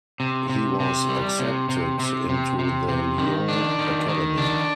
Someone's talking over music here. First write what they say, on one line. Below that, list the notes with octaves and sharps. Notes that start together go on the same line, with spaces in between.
He was accepted into the Lyon Academy.
C3
C3
C3
G3
C3
C3
C3
C3
C3
C3
D#3
D4
D#3
D#3
D4